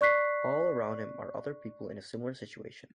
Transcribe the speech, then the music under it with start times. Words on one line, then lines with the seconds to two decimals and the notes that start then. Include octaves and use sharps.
All around him are other people in a similar situation.
0.01 D5 C#6 F#6 B6 C7